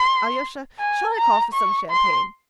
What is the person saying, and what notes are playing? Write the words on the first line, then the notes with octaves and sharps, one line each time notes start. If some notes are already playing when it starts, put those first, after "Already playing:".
Alyosha, shall I call for some champagne?
Already playing: C6
G#5
A#5
C#6
C6